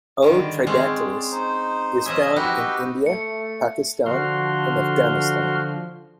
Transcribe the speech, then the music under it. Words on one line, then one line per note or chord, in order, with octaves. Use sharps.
"O. tridactylus" is found in India, Pakistan, and Afghanistan.
D3 D#3 G3
G#3 C4 C#4 D5
D#4 C5
F3 C#4 D#5 E5 G#5 D#6
D#4 E4 F#4 G4 B4 G5
A3 C#7
D3 F3 F#4 C6 F6